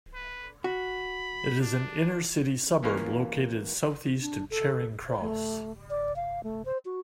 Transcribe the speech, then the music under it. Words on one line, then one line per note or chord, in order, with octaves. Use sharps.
It is an inner-city suburb located southeast of Charing Cross.
B4
F#4 B5
D4
E3 A#3 C#4 F4 A#4
D4
A4
C5
A3
D5
F5
A3
C5
F#4